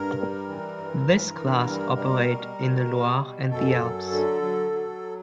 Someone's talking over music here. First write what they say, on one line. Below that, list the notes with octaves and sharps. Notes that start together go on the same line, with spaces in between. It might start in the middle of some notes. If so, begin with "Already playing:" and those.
This class operate in the Loire and the Alps.
Already playing: G2 A#4
G3
E3
G2
E3
G2
G3
B2
G3
B2
G3
B2
F#2 A4
F#3
D3
F#3
F#3